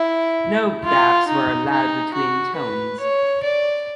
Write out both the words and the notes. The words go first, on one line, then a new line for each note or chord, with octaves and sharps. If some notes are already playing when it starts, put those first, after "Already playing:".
No gaps were allowed between tones.
Already playing: E4
F4
D#4
D#4
F#4
B4
C#5
D5